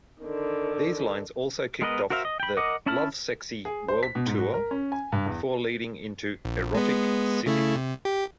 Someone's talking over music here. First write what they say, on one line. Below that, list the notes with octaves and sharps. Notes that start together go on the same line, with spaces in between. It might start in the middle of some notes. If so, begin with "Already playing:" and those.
These lines also kicked off the Lovesexy World Tour, before leading into "Erotic City".
D3 D#3
G#3 B3 A#4 B4 D#5
F#4 A#4 C5 E5 F5
D#5
G5 B5
A#4 D#5 F#5 D6 D#6
C#4 E4 A5 B5 F6
G#4
C5
B6
B2
G#2
F#4
A#4
C#4
G#5
G2
E2
A#1
G#3 B3
C#3 A3 E4
C3
G4